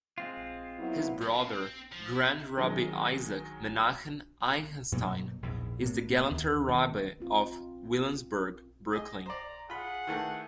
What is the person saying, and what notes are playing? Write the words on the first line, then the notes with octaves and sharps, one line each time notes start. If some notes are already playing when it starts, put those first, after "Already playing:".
His brother, Grand Rabbi Isaac Menachem Eichenstein, is the Galanter Rebbe of Williamsburg, Brooklyn.
G#3 C4 F4
F#3 B3 E4
B1
C#3
C4
F3
E4
D#3 F#3 G#3
G2 B2 F#3 A#3
A#1 E2 G#2
A2 A#3
D#2
D#3
C4 F4
G#4 D#5
C5 D5 A#5
F4 G#4 F#5 B5
D#3 E3 A3